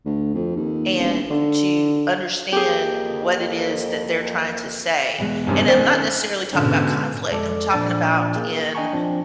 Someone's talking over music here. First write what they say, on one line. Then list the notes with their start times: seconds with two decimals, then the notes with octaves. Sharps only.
and to understand what it is that they're trying to say. And I'm not necessarily talking about conflict, I'm talking about in,
0.05 D2
0.34 F2
0.56 D#2
0.99 E1
1.30 D3
2.53 F2 A#3 G4 G#4
5.19 E2 B2 G#3
5.47 G2 C3 D#3 C#4
5.68 C4 C5
6.53 G#2 B2 D3 C#4
7.31 F2 G#3 A4 D5 D6
7.71 A#2 F3 D4 D5 A5 A6
8.36 A#3 G#4 A#4
8.75 D4 D#5 G5 G#5 A#5 C#6
8.93 F3 C4 D4